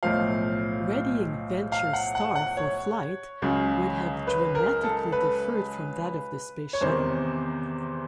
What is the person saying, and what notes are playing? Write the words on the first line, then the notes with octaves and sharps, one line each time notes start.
Readying VentureStar for flight would have dramatically differed from that of the Space Shuttle.
B1 A2 F3 F5
F5
F#5
F#5
F#5
C#5
C#2 C#3 F#3
B4
A#4
A4
B4
C#5
E2 C3 D#3 C5